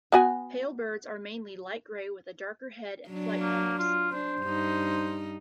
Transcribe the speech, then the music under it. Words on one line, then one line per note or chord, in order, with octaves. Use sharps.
Pale birds are mainly light grey with a darker head and flight feathers.
B3 F#4 G#5
F#3 D4
A#3
F4
D4 C5
G2 D#4